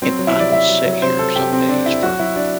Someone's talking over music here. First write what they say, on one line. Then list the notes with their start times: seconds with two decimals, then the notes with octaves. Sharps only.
and I will sit here some days, for
0.02 F#3 C4
0.19 F#3
0.27 E4
0.35 C3 D5
0.52 F#3 E5
0.69 F#3
0.85 F#3
1.02 C3 C5
1.19 C3 A4
1.35 C3 G4
1.52 C3 C4
1.69 C3 D4
1.86 C3 E4
2.02 F#3 F#4
2.19 F#3 E4
2.36 F#3 D4